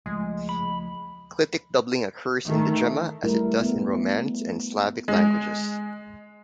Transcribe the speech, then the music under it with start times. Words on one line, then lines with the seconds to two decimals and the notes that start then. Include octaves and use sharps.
Clitic doubling occurs in Degema, as it does in Romance and Slavic languages.
0.06 C#2 F3 G#3 A3
0.49 B5
2.46 D#3 A3
3.24 G3 A3 E4 A#4
3.60 B3
5.08 G#3